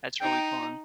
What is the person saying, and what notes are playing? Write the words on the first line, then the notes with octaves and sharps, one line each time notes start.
That's really fun.
D#4 G5